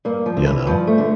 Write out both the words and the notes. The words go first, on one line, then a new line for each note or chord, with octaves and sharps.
you know?
G2 A#3
F3
D3
E3
G2 F3
A3
D3